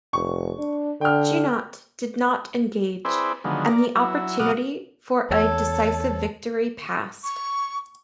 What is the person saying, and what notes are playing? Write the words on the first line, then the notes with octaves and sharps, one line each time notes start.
Junot did not engage, and the opportunity for a decisive victory passed.
F1 C#6
D4
D3 G5 F6
C4 E4 G#4 B4 C5 D5
D3 D#3 F3 F#3 G#3 B3
A#4 D5
F#3 E4
B2 F#3 F#5 D6 D#6 F6
E2 A4 C#5 E6 G#6
C#6